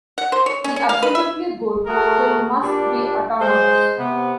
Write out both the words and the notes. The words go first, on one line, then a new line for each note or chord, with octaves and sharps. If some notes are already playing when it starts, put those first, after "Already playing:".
The absolutely good will must be autonomous.
F#5
C5
C#5
C#4
C#4
F5
B4
E5
A3 F#4 G#4 A#4
A#2 G3 D4
G#3 C5
C3 B3